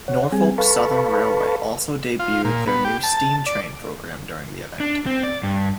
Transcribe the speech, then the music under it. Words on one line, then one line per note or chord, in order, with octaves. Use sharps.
Norfolk Southern Railway also debuted their new steam train program during the event.
C#5 F#5
G3 C4 G#4 G#5
A4 B4 F5 A5 B5 C#6
F4
A#2
B3
G4
A5
A5
D5
D4
C4
D5
G2